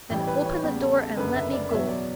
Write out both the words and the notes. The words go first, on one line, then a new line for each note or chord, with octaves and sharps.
"Then open the door and let me go."
A1 A2 E3 G3 G5
B4
C#5
E2 C#3 G3 G4
A4
F#1 F#2 D3 B4
E5
D5
E2 B2 F#3 E5
D5